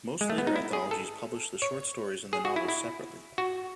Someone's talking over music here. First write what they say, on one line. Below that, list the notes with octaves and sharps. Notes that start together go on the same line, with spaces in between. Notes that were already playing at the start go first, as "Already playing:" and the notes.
Most later anthologies published the short stories and the novels separately.
G#3
A3
B3
D#4
E4
G#4
A4
C#5
G#4
F#4
E4
E4
F#4